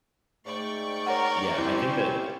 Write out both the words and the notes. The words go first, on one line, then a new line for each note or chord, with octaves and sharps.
Yeah, I think that a
G#2 A3 D5 G5 C#6
A#4 C#5 F#5
G3 C4 C#4 E4 C5